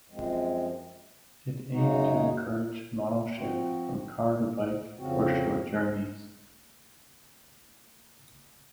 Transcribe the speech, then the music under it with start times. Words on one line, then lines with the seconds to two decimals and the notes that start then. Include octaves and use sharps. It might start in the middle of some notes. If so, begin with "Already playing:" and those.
It aimed to encourage modal shift from car to bike for short journeys.
0.10 F#2 F3 G#3 C4
1.73 F#2 C#3 G#3 D#4 F#4
3.36 F3 C4 F#4
4.98 F2 C#3 F3 C4 F#4